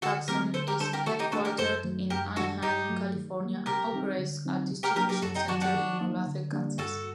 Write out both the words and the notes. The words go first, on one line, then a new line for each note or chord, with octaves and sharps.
PacSun is headquartered in Anaheim, California and operates a distribution center in Olathe, Kansas.
D3 F#4 A4
F#3 A3 C4 G4 A#4
D3 A4 C5
G4 A#4
G3 D4 A4 C5
G4 A#4
D#3 F#4 A4
D#4 G4
A3 D4 F#4 A4
G4 A#4
F#2 A4 C5
D#3 F#3 A3
F#2 G4 A#4
D#3 G3 D4 F#4 A4
G2 D#4 G4
F#3 A3
D#3
G3 A#3
C3 G4 A#4
D#3 G3 C4 D#4
D3
F#3 C4 D#4
C3
G4 A#4
F#3 A#3 D4 G4 A#4
G4 A#4
F#2 F#4 A4
D#4 G4
D#3 F#3 D4 F#4
D4 F#4
D#3
F#3 A#3 D#4
D3
G3 A#3 D4
G2 F#4 A4